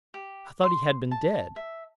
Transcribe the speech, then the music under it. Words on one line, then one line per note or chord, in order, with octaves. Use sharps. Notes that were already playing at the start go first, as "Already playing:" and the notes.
I thought he had been dead!'
G4
C6
A5
E5